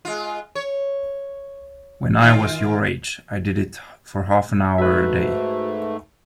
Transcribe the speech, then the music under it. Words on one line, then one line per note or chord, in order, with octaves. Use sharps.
When I was your age, I did it for half-an-hour a day.
G#3 F4
C#5
D#3 F4
G#2 A3 F#4 B4 E5